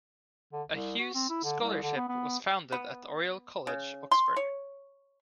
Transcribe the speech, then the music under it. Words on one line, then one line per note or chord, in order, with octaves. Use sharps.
A Hughes Scholarship was founded at Oriel College, Oxford.
D3
C2
F#4
C4
E4
D3
C2
D3
B3
B3
B3
C#3
C6
C#5